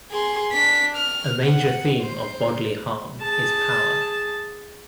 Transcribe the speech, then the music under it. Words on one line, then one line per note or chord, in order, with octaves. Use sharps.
A major theme of "Bodily Harm" is power.
G#4 C6
D4 B6
F6
F#5
C5
G#4 A5